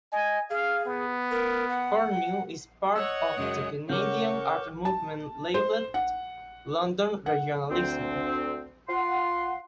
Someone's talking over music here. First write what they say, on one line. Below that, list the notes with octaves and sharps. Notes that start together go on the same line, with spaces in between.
Curnoe is part of the Canadian art movement labeled London Regionalism.
D#5 G#5
G#4 F5
B3
A#4
F#5
C#5 D#5 F#5 E6 C#7
F#2 C#3 G#3 D#6
C#3 A#4 C#5 F#5 D6 F6 G6
A5
C5
F#5
F#5
D2 C4
F4 F#5 C6